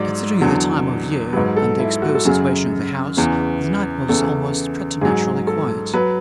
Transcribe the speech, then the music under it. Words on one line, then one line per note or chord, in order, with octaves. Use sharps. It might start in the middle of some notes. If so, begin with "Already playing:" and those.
Considering the time of year, and the exposed situation of the house, the night was almost preternaturally quiet.
Already playing: G#2 F#3 D5
E2 D3 F#3
G#2 F#3 B4
A4
E4
F#4
A4
F#2 C#3 F#3 G#4
E2 C#3 E3
E2 C#3 E3 A4
G#2 F#3 G#4
A4
F#3 B4